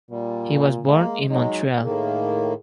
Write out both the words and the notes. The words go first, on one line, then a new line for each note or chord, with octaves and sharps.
He was born in Montreal.
A#2 G3
G#3 A#3
F#3 G#3 D#4
A2 D#3 A#3 G#4